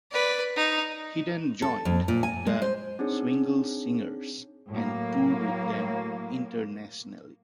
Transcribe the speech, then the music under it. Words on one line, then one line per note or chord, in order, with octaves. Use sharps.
He then joined The Swingle Singers and toured with them internationally.
B4 D5
D#4
A4
F2
A#2
G#5
G#3
C5
C4 D4 D#4 G#4 C#5
A2 F#3 A#3